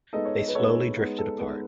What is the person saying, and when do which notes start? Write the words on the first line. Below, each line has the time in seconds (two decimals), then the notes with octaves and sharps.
They slowly drifted apart.
0.13 G#3 B3 D#4 A4 D#5
0.25 C#5
0.38 D#5
0.48 B4
0.55 G#3 B3 D#4 A4 C#5
0.97 G#3 B3 D#4
1.18 A4
1.39 G#3 B3 D#4 B4